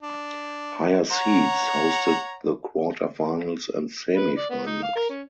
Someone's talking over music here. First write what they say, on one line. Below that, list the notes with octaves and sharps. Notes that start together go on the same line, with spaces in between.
Higher seeds hosted the quarterfinals and semifinals.
D4
C#5 F#5 A#5
B4
D5
B3
D#4
F5
A#4
C#4